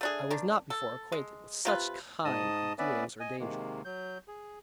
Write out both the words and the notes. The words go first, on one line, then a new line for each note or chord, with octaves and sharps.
I was not before acquainted with such kind of doings or dangers.
A3 D4 G#4
D#3 D4
A4
G#3
C3 F4 B4
G#2 D#5 A5 D#6
B3 C#4 B4 D5 E5
D#5 G#5
C3 D#3 G#3 A#3
F#3 G6
G#4